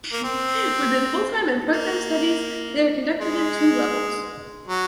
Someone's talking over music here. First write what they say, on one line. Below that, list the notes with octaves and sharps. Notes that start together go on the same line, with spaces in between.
Within full-time and part-time studies, they are conducted in two levels.
A#3
C4
A#3
G#3
F#3